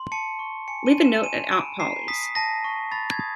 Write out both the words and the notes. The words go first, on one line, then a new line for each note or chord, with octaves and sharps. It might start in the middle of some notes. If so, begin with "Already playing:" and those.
Leave a note at Aunt Polly's.
Already playing: C6
A5 C#7
C#6
G#5 C#7
D#7
C6
E7
G#5 D#7
B5 D7
A#5 C7
D#6 B6
A5 A#6
C#6
B5 A6
G#6
D#6